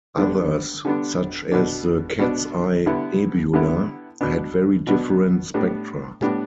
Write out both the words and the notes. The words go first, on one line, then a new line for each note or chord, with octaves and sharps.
Others, such as the Cat's Eye Nebula, had very different spectra.
D3 G3 B3 D4
D3 G3 B3 D4
B2 B3 D4
B2 B3 D4
D3 G3 B3 E4
D3 G3 B3 E4
B2 B3 D4
B2 B3 D4
A2 G3 B3 D4
A2 G3 B3 D4